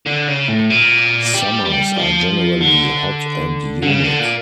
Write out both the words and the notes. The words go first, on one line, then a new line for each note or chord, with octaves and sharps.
Summers are generally hot and humid.
D3
C#3
A2
A#2
G3
G3
F3
D3
D3
C#3
D3
A#2